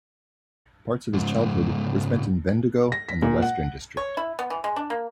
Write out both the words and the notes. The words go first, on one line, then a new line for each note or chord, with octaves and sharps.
Parts of his childhood were spent in Bendigo and the Western District.
C#2 G#2
A#6
B6
A#2
F#5
C#5
E4
B3
E3
G#3
D4
A#3